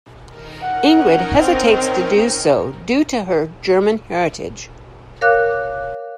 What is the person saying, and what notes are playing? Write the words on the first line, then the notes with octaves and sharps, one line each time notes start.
Ingrid hesitates to do so due to her German heritage.
D#3 A#4
C#4 D#4 A#4 F#5
C4
A#4 C#5 F5 D6 F#6